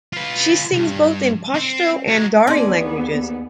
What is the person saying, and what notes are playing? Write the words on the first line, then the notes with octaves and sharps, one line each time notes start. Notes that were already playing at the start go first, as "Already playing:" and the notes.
She sings both in Pashto and Dari languages.
F4 B4
C2 G2
C4
F#3 G#3
D#2 B3 C4 G#4 D5 C6